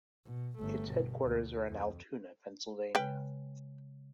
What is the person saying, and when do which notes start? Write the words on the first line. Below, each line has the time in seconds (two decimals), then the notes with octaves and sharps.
Its headquarters are in Altoona, Pennsylvania.
0.25 B2
0.58 G1 A3
0.91 B2
1.23 D2
1.69 F2
2.95 C#3 G#3 B4 G5